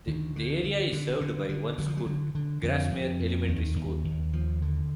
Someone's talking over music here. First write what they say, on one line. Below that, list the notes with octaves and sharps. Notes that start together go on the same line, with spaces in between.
The area is served by one school, Grasmere Elementary School.
D2 D#3
D3
D3
D3
D3
D3
D3 F#3
F3
F#3
D3
D3
F2 D3
F2
F2
D#2 D#3
D#2
D#2
D#2 F3
D3